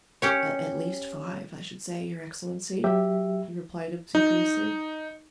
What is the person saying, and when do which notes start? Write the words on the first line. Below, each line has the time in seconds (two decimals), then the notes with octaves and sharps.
"At least five, I should say, your Excellency," he replied obsequiously.
0.22 C#4 G4 C#5
2.84 F#3 G4 E5
4.15 D#4